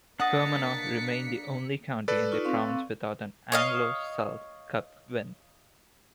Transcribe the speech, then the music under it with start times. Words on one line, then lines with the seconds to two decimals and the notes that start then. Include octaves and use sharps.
Fermanagh remain the only county in the province without an Anglo-Celt Cup win.
0.20 A#3 D4 D#5 F#5 D#6 A6 B6 C#7
2.08 A4 B4 D5
2.32 D#4 F4 C#6
2.45 C4 F5 C#6
3.52 C#5 D#5 F5